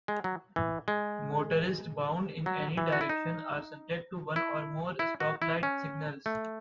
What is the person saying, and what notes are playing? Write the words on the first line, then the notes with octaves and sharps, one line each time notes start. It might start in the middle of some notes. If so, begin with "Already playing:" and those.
Motorists bound in any direction are subject to one or more stoplight signals.
G#3
F#3
E3
G#3
F#3
E3
F#4
E4
D#4
E4
E4
F#4
E4
C#4
A3